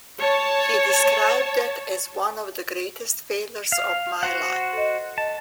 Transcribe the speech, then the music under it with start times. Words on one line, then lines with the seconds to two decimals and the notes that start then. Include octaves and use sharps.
He described that as one of the greatest failures of my life...
0.19 C#5 A5
3.72 F5
4.23 F#4 C5 F#5
4.73 A4 D#5
5.18 D#5 A5